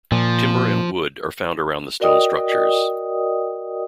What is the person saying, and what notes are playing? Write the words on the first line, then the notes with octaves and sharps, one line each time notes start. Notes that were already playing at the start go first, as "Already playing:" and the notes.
Timber and wood are found around the stone structures.
A#2 F3
F#4 A#4 D5 D#5 G5 D#6